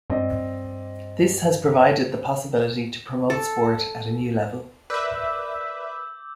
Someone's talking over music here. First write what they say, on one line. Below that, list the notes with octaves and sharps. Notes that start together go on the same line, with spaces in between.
This has provided the possibility to promote sport at a new level.
G2 C4 D5 D#5
A4
A#4 B4 D5 E5 D6 E6 G6